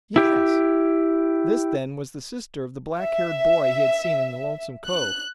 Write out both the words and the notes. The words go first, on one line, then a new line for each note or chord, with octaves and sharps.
"Yes." This, then, was the sister of the black-haired boy he had seen in the Lonesome Cove.
E4 G4
E5
F#6